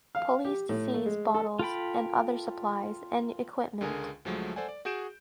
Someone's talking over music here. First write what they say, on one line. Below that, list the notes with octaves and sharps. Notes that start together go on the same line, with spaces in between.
Police seized bottles and other supplies and equipment.
F5
G4
A2
A3
G#3
A4
F4 A4 G5 B5
C#2 D3 G#4 A#4 G#5
D2 F3 F#3 G#3 A3
A4 C5 D5 F#5 G#5
D5
F#4 G#4 G6 D7 E7